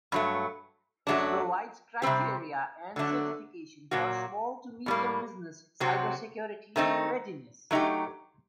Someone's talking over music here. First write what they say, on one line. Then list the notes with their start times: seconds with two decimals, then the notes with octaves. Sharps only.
It provides criteria and certification for small-to-medium business cybersecurity readiness.
0.12 G2 F#3 A3
1.07 F#2 F#3 A3 D4
2.02 C3 G3 C4 G4
2.96 D3 F#3 A3 D4
3.91 A#2 F#3 A#3 F#4
4.86 A2 G3 A#3
5.80 C3 F#3 C4 F#4
6.76 D#3 A3 C4 D#4
7.71 F#3 A3 D#4 G4